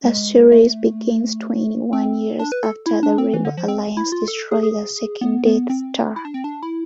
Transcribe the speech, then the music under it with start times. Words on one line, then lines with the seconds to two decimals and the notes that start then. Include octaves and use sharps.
The series begins twenty-one years after the Rebel Alliance destroyed the second Death Star.
0.04 G#3
0.52 A3
1.93 C4
2.39 D4
2.52 B4
2.63 A4
2.86 E4
3.03 D4
3.18 C4
3.33 E3
3.45 D3
3.57 F3
3.68 C4
3.97 E4
4.12 F4
4.28 A4
4.51 G#4
4.63 G#4
5.21 B3
5.45 B3
5.70 C4
6.16 E4
6.25 D4
6.34 C4
6.44 D4
6.63 E4